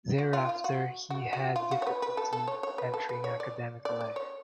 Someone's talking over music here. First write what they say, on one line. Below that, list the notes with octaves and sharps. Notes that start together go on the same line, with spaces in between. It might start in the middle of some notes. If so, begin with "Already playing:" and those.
Thereafter he had difficulty entering academic life.
F#4
F4
F4
F#4
F#4
F#4
F4
F#4
C#5
B4
B4
A4
A4
C#5
C#5
B4
A4
B4
C#5
D5
D5
D5
C#5